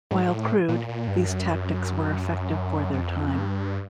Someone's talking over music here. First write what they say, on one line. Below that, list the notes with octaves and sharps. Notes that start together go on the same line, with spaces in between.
While crude, these tactics were effective for their time.
G#2
A2
A#2
A#2
G2
F#2
F#2
F2
G2